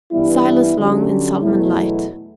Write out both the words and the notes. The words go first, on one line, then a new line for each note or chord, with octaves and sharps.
Silas Long and Solomon Light.
G2 E3 G3 B3 E4
D3 F#3 C#4 G4
E2 B2 F#3 A3 E4